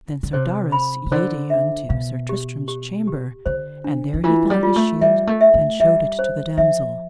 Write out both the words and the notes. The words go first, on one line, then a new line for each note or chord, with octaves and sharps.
Then Sir Darras yede unto Sir Tristram's chamber, and there he found his shield and showed it to the damosel.
D3
C3 C5
B5
C3
D3 C5
E5
B2 F5
G4
G4
G4
D3 C5
D4
D3
E3 F4
G3
F4
A3
G3 E5
A3
E5
A3
G3 E5
C5
F3 E5